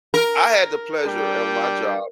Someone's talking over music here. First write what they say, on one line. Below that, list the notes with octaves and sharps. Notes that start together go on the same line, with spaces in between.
I had the pleasure at my job
A#4
G3 D4 G5